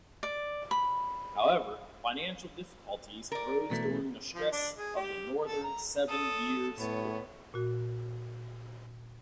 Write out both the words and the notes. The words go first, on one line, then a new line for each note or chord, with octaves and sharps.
However, financial difficulties arose during the stress of the Northern Seven Years' War.
D5
B5
A#4 D5
B2 E3 A3
F3
D4
G#4
G4
A4
A#5
A4 D#6
A2 B3 C#5
A#2 F#4